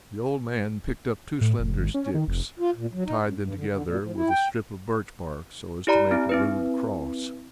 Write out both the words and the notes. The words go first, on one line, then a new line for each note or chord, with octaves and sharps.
The old man picked up two slender sticks and tied them together with a strip of birch-bark, so as to make a rude cross.
A2
F1
G#1
C#4
D#3
F1
F4
A#2
F#3
D#4
F#2
G2
D3
D3
A#2
F3
E4
G5
E4 G4 D5 A#5 B5
C4 E4
C4 E4 B4